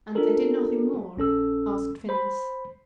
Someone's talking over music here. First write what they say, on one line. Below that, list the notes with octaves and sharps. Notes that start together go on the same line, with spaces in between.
"And they did nothing more?" asked Phineas.
D4 F4 G4 A4 A#4
A#1 C#4 A4 E6
C5 B5